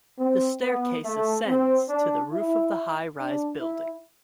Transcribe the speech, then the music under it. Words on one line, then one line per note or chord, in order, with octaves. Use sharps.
The staircase ascends to the roof of the high rise building.
C4
B3
A3
C4
D4
E4
D4
E4